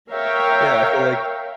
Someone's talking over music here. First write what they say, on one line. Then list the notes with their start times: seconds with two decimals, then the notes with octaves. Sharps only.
Yeah, I feel, like,
0.11 A#4 C#5 E5 F5 G5